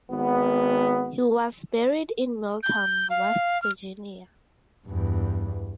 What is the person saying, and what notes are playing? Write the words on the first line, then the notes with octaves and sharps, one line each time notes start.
He was buried in Milton, West Virginia.
G#1 B3
G6
F5
F6
E2 G2